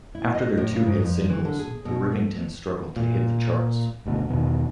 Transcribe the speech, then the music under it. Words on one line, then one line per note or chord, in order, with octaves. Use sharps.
After their two hit singles, the Rivingtons struggled to hit the charts.
E4
D#5
A2
C#3
G#2
F2
E3
D3
G#4
B2
A3
A#2
F#1 D2 B2
E2 B2 D#3